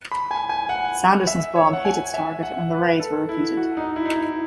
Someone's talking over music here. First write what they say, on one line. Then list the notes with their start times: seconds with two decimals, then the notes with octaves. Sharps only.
Sanderson's bomb hit its target and the raids were repeated.
0.11 B5
0.31 G#5
0.49 G#5
0.69 F#5
1.27 E5
1.56 C#5
1.73 F#5
1.85 G#5
2.14 E5
2.43 F#5
2.71 B4
3.00 A4
3.29 E4
3.57 F#4
3.77 D#4
3.96 E4
4.06 D#4
4.15 E4